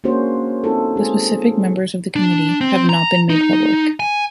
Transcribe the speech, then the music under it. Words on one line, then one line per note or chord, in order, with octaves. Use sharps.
The specific members of the committee have not been made public.
A#3 C#4 D4 F#4 G#4 C5
C4 D#4 F4 A4
G#3 G#4 C5
D4
C4
A#5
D#4
G#5